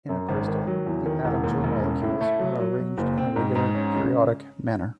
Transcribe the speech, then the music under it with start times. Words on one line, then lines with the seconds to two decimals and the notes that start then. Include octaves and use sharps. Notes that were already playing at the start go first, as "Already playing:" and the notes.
In a crystal, the atoms or molecules are arranged in a regular, periodic manner.
0.09 F#2
0.29 G#1
0.48 D#3
0.67 F#3
0.86 E2
1.06 D#3
1.25 E1
1.44 D#2
1.64 E1
1.83 C#3
2.02 A2
2.21 A3
2.39 F#3
2.60 F#3
2.79 F#3
2.98 F#1
3.18 C4
3.36 G#2
3.55 G#2
3.75 C#4
3.94 C#3